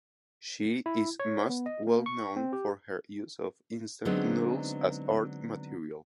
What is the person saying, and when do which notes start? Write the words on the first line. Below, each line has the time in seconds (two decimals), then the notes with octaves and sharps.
She is most well known for her use of instant noodles as art material.
0.86 E4
1.20 C#5
1.50 B3
1.66 D#5
1.87 A#3
2.06 C#6
2.36 C4
2.53 G4
4.05 D3 F#3 G#3 B3 C4 D#4